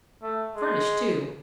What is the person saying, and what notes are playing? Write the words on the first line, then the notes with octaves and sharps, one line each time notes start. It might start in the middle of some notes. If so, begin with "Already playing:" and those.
Furnished, too.
A3
G#3